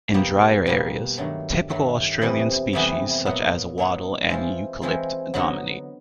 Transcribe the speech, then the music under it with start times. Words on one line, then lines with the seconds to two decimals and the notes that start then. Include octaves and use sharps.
In the drier areas, typical Australian species such as wattle and eucalypt dominate.
0.14 B2 G3 A#3
0.66 B2 G3 A#3
1.18 G2 D#3 F#3 A3 D4
1.69 G2 D#3 F#3 A3 D4
2.22 F2 C3 E3 G3 B3
2.73 F2 C3 E3 G3 B3
3.26 A#2 F#3 B3
3.78 A#2 F#3 B3
4.30 E3 G#3 C4 F4
4.82 E3 G#3 C4 F4
5.34 D3 F#3 B3 D#4 F#4